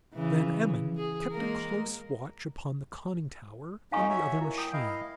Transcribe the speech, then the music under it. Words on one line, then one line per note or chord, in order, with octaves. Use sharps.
Van Emmon kept a close watch upon the conning tower on the other machine.
C#3 E3
G#4
G#3 A#3 A#4
F2 D#4 F5 G#5 C#6
F#4 C#5 E5
E4 A#4
G5 D#6
E4 D#5 F5